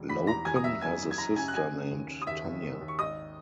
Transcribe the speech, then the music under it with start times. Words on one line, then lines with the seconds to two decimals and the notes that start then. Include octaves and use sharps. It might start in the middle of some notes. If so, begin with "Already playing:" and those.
Loken has a sister named Tanya.
Already playing: E1
0.09 E2 B5 B6
0.27 E2 A#5 A#6
0.45 E2 G#5 G#6
0.56 D#6
0.63 F#1 E5 E6
0.82 F#1 G#5 G#6
1.00 F#1
1.11 G#6
1.18 F#1 A#5 A#6
1.36 C#3 G#5 G#6
1.48 F#6
1.54 C#3 G#5 G#6
1.72 C#3
1.91 D#2
2.08 C#3
2.22 D#6
2.27 D#2 E5 E6
2.44 D#2
2.63 D#2
2.81 D#2
2.88 C#6
2.99 G#1 D#5 D#6